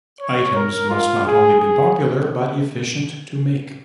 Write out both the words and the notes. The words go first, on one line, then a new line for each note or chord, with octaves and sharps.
Items must not only be popular, but efficient to make.
C#5
A#4
F4
G#4
G#4